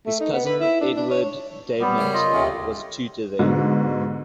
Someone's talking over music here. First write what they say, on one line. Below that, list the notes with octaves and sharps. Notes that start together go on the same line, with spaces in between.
His cousin, Edward Davenant, was a tutor there.
A3
D#4
B3
B4
E4
D4
D4
C#5
G3 B3
F#2 C#3 G#4
F4 D#5
D#2 A2 C3 C#4
G#2 B2 D3